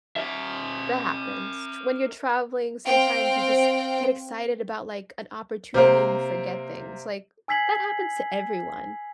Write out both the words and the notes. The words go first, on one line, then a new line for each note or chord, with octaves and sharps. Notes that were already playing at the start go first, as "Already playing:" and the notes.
That happens. T when you're traveling, sometimes you just get excited about, like, an opportunity and you forget things, like, that happens to everyone.
A#4 E5
C4 F5 G5
C3 A#3 C5
G#5 E6 G#6 B6 C7 F#7